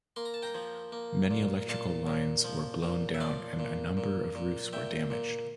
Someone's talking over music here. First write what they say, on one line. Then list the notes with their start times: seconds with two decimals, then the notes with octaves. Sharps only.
Many electrical lines were blown down and a number of roofs were damaged.
0.16 A#3 C6
0.25 A#5
0.34 A5
0.42 G5 A#5
0.55 F3
0.92 A#3
1.31 A#2
1.68 A#2 F5 A5
2.07 A#2
2.44 F3
2.83 A#2
3.14 E5
3.20 F3 D5 F5
3.59 A#2
3.97 A#2
4.35 A#2
4.73 A#2 E5 G5
5.10 A#2